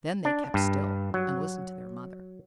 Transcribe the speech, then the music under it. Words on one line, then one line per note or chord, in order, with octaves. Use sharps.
Then they kept still and listened to their mother.
D4
G2
F#3